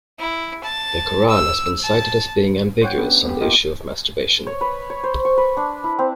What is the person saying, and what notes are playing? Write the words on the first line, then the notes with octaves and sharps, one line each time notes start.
The Qur'an has been cited as being ambiguous on the issue of masturbation.
E4
A5
E6
A5
C5 C#5 F#5 G5
B3 C#4 D4 G4 B4
B3 G4
A#3 D#4 F4 G4 D#5
C#5
B4
C#5
C5
C#6
B4
D4
E4
C4